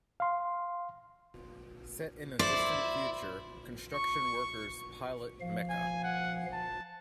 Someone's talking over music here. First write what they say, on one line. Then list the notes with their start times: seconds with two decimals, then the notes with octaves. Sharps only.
Set in the distant future, construction workers pilot mecha.
0.20 F5 C6
2.39 E4 C5 D5
3.93 C#6
5.41 F3 F5
5.70 G#5
6.04 F#5
6.53 A5